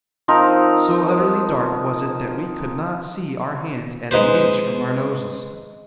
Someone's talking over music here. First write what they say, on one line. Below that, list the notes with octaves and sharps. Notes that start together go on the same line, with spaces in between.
So utterly dark was it that we could not see our hands at an inch from our noses.
F3 C4 D#4 A#4
G#3 D#4 B4 C5